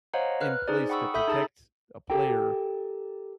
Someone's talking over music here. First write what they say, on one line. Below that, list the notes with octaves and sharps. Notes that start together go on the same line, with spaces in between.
in place to protect a player,
C5 C#5 D#5 F5 F#5 A#5
B4 F6 F#6
D#4 G#4 C5 D5
F#5 G5 B5 C#6 D#6 E6
A4 E5 B5 D#6 G6 B6
D#4 G#4 A5 A#5 A6
G4 A4 A#4 G5